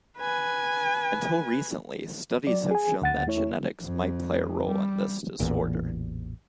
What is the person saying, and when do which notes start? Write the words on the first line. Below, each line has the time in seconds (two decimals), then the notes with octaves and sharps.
Until recently, studies have shown that genetics might play a role in this disorder.
0.19 B4 G#5
2.47 F#3 D5
2.71 G#4 G#5
3.02 D2 F#5 A6
3.26 E2 A3 E4 C#5
3.83 F2
4.69 G3
5.40 A1 E2 A#2